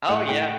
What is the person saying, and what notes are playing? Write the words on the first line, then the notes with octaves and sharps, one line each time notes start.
Oh, yeah.
A2 F#5
A2 G5